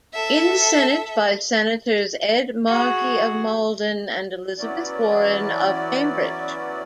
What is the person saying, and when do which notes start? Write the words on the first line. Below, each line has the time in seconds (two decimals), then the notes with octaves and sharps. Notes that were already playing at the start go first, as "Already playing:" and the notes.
In the Senate by Senators Ed Markey of Malden and Elizabeth Warren of Cambridge.
0.14 A4 E5
2.67 F#4 G#4
4.58 E3 F#3 B3 C#4 D5